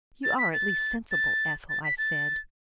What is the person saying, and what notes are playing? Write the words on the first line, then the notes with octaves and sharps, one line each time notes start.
"You are at least sensible, Ethel," I said.
A6
B6
A6
A6
A6
B6
A6